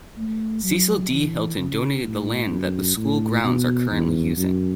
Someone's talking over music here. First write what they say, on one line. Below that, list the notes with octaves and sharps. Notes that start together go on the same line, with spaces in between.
Cecil D. Hylton donated the land that the school grounds are currently using.
A3
F#3
E3
C#3
A2
F#2
A2
B2
E2
F#2